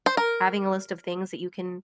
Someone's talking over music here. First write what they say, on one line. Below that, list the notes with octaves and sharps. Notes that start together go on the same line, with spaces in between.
having a list of things that you can,
C5
A#4